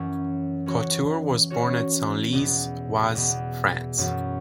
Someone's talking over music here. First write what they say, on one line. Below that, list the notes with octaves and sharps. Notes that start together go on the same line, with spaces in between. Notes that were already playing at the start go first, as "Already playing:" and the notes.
Couture was born at Senlis, Oise, France.
Already playing: F#2 E3 C#4
E3 C#4 F#4 C#5
E3 C#4 F#4 C#5
E2 B2 B3
E2 B2 B3
F#2 E3 B3 F#4